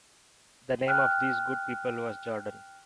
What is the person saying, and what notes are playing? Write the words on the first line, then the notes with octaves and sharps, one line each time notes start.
The name of these good people was Jordan.
G5 F6 F#6